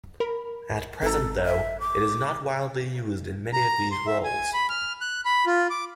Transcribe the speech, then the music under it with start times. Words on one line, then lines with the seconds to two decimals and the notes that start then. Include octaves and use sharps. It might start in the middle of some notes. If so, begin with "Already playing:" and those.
At present though, it is not widely used in any of these roles.
0.20 A#4 B5
1.02 G#1 A4 A#5
1.45 E5
1.80 D6
3.53 A#5
3.91 C6
4.07 E5
4.24 G#5
4.54 B5
4.70 F6
5.01 F#6
5.25 B5
5.46 F4
5.70 D6